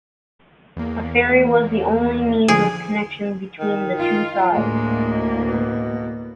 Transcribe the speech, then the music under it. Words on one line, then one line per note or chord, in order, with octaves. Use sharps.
A ferry was the only means of connection between the two sides.
E2 A#3
D3 F3 G#4
D#3
F4
D2 A2 G#3 A#3
B2